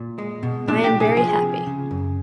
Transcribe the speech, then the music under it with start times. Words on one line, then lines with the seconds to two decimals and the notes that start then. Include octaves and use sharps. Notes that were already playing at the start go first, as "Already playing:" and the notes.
I am very happy.
Already playing: A#2
0.18 G#3
0.43 B2
0.68 A#2 D4
0.84 G4
0.92 C2
1.00 G#4
1.17 F3 G#4
1.42 C3
1.67 C#3
1.91 F#2